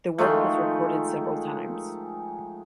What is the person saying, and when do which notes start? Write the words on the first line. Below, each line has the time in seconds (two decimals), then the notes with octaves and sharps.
The work was recorded several times.
0.18 D#3 F3 G#3 A3